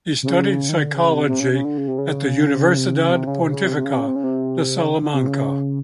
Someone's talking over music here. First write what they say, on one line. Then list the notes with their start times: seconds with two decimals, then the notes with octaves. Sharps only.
He studied psychology at the Universidad Pontificia de Salamanca.
0.23 C3
0.28 C#3
0.69 D#3
0.78 D3
0.94 C#3
1.10 C3
1.28 C3
1.40 C#3
1.53 C#3
1.65 D3
1.78 C#3
1.88 C3
1.98 C#3
2.77 C3
2.94 C#3
3.10 C3
3.27 C#3
3.39 C3
3.52 C#3
3.64 C3
3.77 C3
3.85 C#3
3.93 C3
4.00 C#3
4.08 C3
4.16 C#3
4.24 C3
4.77 C#3
5.02 D3
5.14 C3
5.27 C#3